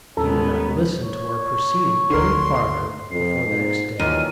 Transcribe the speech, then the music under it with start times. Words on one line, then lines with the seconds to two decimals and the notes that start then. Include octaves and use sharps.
He would not listen to our proceeding any farther before the next day.
0.17 D#1 G#3 B3 C#4 A4 A#5
1.02 C#5
2.10 D2 D3 A3 A#4 C6
3.11 F2 C7
3.43 G#2
3.99 D#2 A#2 E3 F#3 F6 D#7